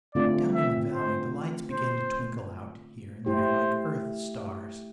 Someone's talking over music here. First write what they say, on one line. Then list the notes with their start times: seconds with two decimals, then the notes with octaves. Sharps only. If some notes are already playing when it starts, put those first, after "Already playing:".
Down in the valley the lights began to twinkle out here and there like earth-stars.
0.15 D3 A3 C4 F4 D5
0.55 E5
0.93 C5
1.71 C5
3.26 A3 E4 G4 C5